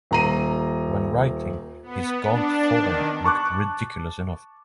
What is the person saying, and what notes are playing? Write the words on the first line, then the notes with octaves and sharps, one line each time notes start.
When writing, his gaunt form looked ridiculous enough.
D#1 A#5 D#7
B3
D4
D#3
A5 C#6 D6 F#6